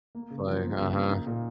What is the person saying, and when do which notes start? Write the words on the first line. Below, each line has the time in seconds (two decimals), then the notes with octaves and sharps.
Like, uh-huh.
0.15 A#3
0.30 C#3
0.47 F3
0.63 A#3
0.79 C#3
0.95 A#3
1.11 D#4
1.27 A#2